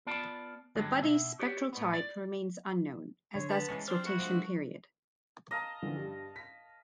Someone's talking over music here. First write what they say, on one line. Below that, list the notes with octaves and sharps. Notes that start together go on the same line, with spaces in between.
The body's spectral type remains unknown, as does its rotation period.
B3 F4 D5 A5
G2 D3 F#3 G#3
B2 E5
F#4 G4 C#5 D5
A2 B3
D5
D3 C#5
B3 A5
E3 G#3 C#4
C4 D4 C5 F6
E4 F#4 F#5
F3 G#3 A3 D4
D#5 F5 A5 A#5
D3 E3 F3
G2 G3
B6